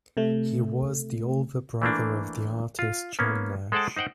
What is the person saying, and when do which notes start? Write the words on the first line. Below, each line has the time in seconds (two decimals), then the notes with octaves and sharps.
He was the older brother of the artist John Nash.
0.17 C3 A3
1.82 E3 A3 A#3 D4
2.79 F4
3.19 A#3 B3 C#4
3.72 G#3 A4 C5 F#5 G5 A5
3.96 D#4 C5 F#5 G5